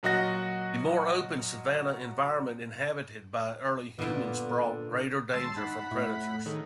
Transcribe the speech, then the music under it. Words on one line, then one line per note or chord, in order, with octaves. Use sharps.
The more open savannah environment inhabited by early humans brought greater danger from predators.
A#2 F#3 F#4 D#5 F#5 A#6
A#2 D3 B3
D#2 G#3 A5 C6 E6
D#4 F#5 B5
A2 C#5 E5
D#3 G#4 A4 C#5